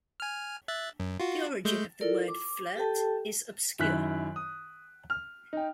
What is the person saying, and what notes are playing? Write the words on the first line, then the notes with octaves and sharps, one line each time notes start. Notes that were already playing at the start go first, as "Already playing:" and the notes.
The origin of the word "flirt" is obscure.
G#5 F6
E5 F#6 A6
F#2
F4 F#4
G#3 A3 G6
E4 F4 A4 A#4 D5
D6
G4 A4 G5 A5
F#2 D#3 E4 F#6 B6
D#6
F6
D#4 G5